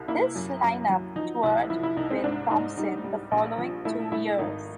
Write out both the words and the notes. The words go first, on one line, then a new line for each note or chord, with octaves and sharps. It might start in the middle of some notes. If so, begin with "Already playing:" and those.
This line-up toured with Thompson the following two years.
Already playing: C2
A#3 E4
F#2
F#2
F#3
F3 D#4
C2 E4
F3 E4
E4
C2 D#4
C4
G#2 D4
G#2 D#4
G3 D#4
G3
A#1
F3
A3 E4
A3 E4
G#1 D#4